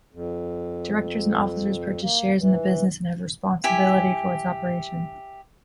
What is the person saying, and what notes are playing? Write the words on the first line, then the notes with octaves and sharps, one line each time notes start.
Directors and officers purchase shares in the business and have responsibility for its operation.
F2
A#3
E3
E4 G4 G#5